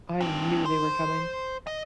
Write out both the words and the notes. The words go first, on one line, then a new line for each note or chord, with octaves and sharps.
I knew they were coming.
C4 D4
C5 C6
D#5